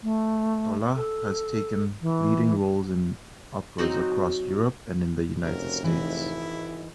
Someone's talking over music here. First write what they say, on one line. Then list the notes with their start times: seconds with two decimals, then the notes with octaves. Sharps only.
Tola has taken leading roles in operas across Europe and in the United States.
0.03 A3
0.96 A4
2.02 E3
3.78 F#3 C4 D#4 F#4
5.43 F1 C#4 F#4 A#4
5.84 G#1 E3 D#4 E4